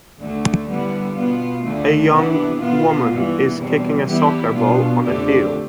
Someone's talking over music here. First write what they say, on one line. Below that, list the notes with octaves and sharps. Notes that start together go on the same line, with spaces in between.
A young woman is kicking a soccer ball on a field.
D2 D3 A3
D3 G3 B3 E4
B2 B3 F4
D2 D3 A3
C3 E3 B3 D4
B2 B3 F4
G2 E3 B3
E2 B2 G3 C4
E3 G3 B3 E4 G4
B2 B3 D4 F4
F2 D3 A3 D4 G4